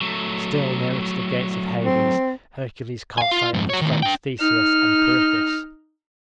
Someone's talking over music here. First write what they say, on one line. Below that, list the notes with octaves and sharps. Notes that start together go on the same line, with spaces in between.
Still nearer to the gates of Hades Hercules caught sight of his friends Theseus and Pirithous.
F#3 A3
C4
F5 G#5
F4
F2 G#2
F#4 C#5
A2 D#3
D4 G5
D#4 F6